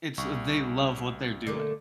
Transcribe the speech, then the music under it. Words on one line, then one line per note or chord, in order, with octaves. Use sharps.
It's they love what they're doing.
C2 C#6
D3 A3 A#3